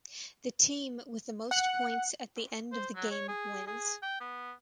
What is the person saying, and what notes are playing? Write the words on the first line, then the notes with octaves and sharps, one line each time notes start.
The team with the most points at the end of the game wins.
F#5
C5
F#3
C#5
G#4
G#4
G5
B3